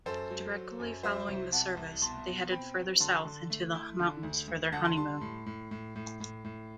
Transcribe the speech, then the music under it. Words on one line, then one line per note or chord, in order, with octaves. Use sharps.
Directly following the service they headed further south "into the mountains" for their honeymoon.
F#2 A4 C5
F#3
F#3
F#2
F#3 C5 E5
C2
C3 F#5 A5
C2
B2 A5 C6
B2
C4 G5 B5
F#3
D3 A5 C6
D3
A3
E4
D3
D2
D2
D3 F#5 A5
A5 C6
G3 A5 C6
A2
A2
A2
A2
A2
A2